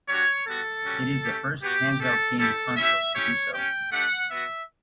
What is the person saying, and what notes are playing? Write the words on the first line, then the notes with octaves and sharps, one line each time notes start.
It is the first handheld game console to do so.
G3 D4 F#4 C#5
G3 B3 F#4 A4
G3 C#4 F#4
A3 C#4 G4
B3 F#4 G4
A3 C#4 G4 A4
C#4 E4 G4 A4
C#4 E4 G4 E5
C#4 E4 G4 C#5
C#4 G4 G5
A3 D4 G4 F#5
B3 F#4 E5